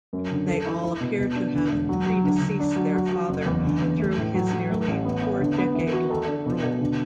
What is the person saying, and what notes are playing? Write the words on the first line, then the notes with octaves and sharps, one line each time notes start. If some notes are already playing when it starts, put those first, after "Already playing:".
They all appear to have predeceased their father through his nearly four-decade-long rule.
F#2
D3
A4
E4
E4
B2
B2
D4
D3
E1
F#3
F#3
D3
D3
D4
F#3
F#4
F#4
F#1
E2
D3
E2
A3
A2
F#3
F#3
A3
A1
B3
B3
D3
B3
E3
F#4
A4
D4
B2
B2
D3